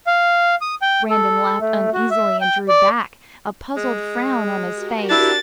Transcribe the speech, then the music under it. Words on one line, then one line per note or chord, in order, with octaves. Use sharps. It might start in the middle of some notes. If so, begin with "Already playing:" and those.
Brandon laughed uneasily and drew back, a puzzled frown on his face.
F5
D#6
G5
A4
A3
F#4
E5
G5
D5
G#3
F#4 G4 A#4
D4 E4 A6